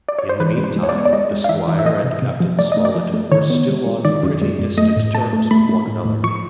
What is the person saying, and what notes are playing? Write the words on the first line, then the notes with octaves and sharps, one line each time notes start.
In the meantime, the squire and Captain Smollett were still on pretty distant terms with one another.
D5
C#5
C5
E3 B4
G#3
C5
G#3
C#5
D5
B3 C#5
D5
G#3 D#5
G#3
F5
E3 E5
E3
E5
F3 D#5
C3
C3
F3
A3 D5
D#5
A3
D5
F3
A3
D#3 C#5
B3
G#3
G#3
D#3 D5
F#2
G#3
F#2
A3 D#5
A2
A3 A5
A3
A3 B5
A3
A2
A2
F3 C#6